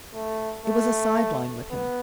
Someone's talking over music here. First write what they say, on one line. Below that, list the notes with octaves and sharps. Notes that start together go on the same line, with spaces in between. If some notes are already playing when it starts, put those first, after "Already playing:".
It was a sideline with Him.
A3
A3
B3